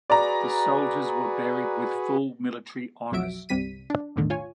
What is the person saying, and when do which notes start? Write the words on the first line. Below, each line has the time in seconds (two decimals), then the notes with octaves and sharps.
The soldiers were buried with full military honours.
0.10 F#4 G#4 B4 D5 A#5
3.12 B1 F2 F#3 F#4 E5 D7
3.49 G1 C2 C3 G3 B6 D#7
3.90 D4
4.16 B1 E2 A2 D3 D#3
4.30 F4 C#5 G#5